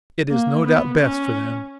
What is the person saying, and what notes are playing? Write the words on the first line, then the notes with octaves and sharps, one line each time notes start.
It is no doubt best for them.
A#3
B3
C#4